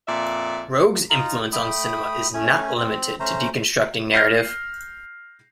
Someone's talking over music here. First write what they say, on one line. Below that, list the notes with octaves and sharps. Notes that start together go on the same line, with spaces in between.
Roeg's influence on cinema is not limited to deconstructing narrative.
F2 A#2 D5 E5
D#4 F4 A#5
A3 G5 B5 D#6
A3 C#4 G#5
C4
A3 C#4 C5 A#5
F6 G6 A#6 C7